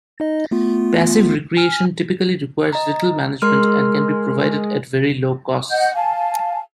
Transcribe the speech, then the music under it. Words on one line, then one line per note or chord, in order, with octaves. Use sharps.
Passive recreation typically requires little management and can be provided at very low costs.
D#4 D#5
A3 B3 F4
G#5 F6
D#5 A#5
G#3 A#4 C6 F6
D#5 F#5 G6
F5 G#5 A5